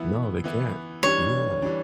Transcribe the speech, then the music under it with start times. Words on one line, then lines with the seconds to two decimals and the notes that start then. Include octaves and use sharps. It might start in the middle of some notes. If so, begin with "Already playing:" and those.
No, they can't. Yeah.
Already playing: E3 B3 E4
0.44 E3 B3 E4
1.03 E3 G3 D4 C#5
1.62 E3 G3 D4